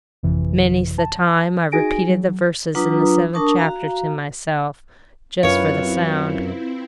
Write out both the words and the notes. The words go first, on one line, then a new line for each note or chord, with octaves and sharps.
Many's the time I've repeated the verses in the seventh chapter to myself, just for the sound.
G#1 F2 C3 E3
A5
D#4 F#4 G#4 G#5 A#6 D7
F#3
F#3 D4 F4 B4 A#5 D#6
D4 A#4 A5 C#6 D#6
F#4 F5 A#5
F#2 C4 E4 F4 B4 C#5 F5